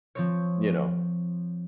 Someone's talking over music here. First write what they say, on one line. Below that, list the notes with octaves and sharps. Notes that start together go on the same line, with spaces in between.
you know.
F3 C4 C#5